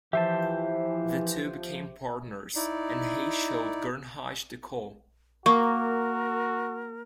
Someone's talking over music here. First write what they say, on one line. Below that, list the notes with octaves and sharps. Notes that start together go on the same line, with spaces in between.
The two became partners, and Hay showed Gernreich The Call.
E3 F3 G4 C5 E5 A5
D#4 E4 D5
A#3 F#4 A#4 C#6